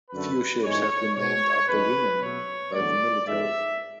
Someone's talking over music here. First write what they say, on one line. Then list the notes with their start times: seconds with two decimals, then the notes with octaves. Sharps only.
Few ships have been named after women by the military.
0.11 F#2 D3 A3 B4
0.63 G#2 E3 G#3 C#5
1.15 B2 G#3 C#5
1.68 F#2 E3 G#3 B4
2.20 B2 F#3 A3 C#5
2.73 E2 D3 F#3 A3 D5
3.26 G#2 G#3 E5